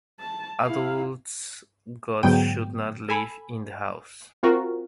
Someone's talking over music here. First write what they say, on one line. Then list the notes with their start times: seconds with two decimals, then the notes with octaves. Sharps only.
Adult goats should not live in the house.
0.20 A5
0.61 E4 F5
2.23 G#2 D3 F#3 B3 G5 D#7
3.09 A4 G#5 B5
4.43 C4 F4 F#4 A#4